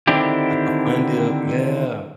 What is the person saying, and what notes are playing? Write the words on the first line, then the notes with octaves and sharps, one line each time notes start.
Like a fun dip, yeah.
D3 D#3 C4 D4 E4 G4